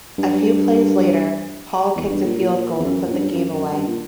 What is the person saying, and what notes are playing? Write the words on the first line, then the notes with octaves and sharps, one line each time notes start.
A few plays later, Hall kicked a field goal to put the game away.
G2
E2
G2
A#2
A#2
A#2
E2
F#2
A#2
G2
F#2
F#2
G2
A#2